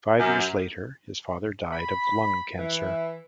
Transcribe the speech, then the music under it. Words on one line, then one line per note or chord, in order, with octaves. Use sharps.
Five years later, his father died of lung cancer.
F#2
B5
E3